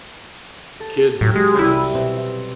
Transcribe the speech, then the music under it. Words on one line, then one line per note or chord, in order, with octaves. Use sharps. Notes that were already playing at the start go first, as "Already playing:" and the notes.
kids and pets,
A4
A2 F#3 G4
G#3
C2 G3 E4 D#7
B2 C4 E6